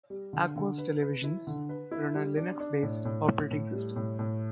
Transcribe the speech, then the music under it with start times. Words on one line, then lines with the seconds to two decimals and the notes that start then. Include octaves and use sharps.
Aquos televisions run a Linux-based operating system.
0.10 G3
0.33 D3
0.56 D3
0.78 B4
1.01 B4
1.24 E4
1.47 D3
1.69 B4
1.91 E4
2.14 G3
2.37 D4
2.60 D4
2.83 A2
3.05 A2
3.27 A2
3.51 A2
3.73 G3
3.96 A2
4.19 A2